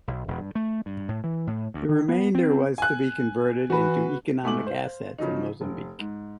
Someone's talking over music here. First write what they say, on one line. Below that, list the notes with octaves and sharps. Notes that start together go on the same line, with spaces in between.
The remainder was to be converted into economic assets in Mozambique.
B1
E1
G2
A3
G2
A2
E3
A2
D2
D#3
B3
C4
G#5 F#6
E3 F#4 B4
G#2 A3 G#5 D6 F#7
C5 F5
C#3 F3 F#3 D#4
F1
G#2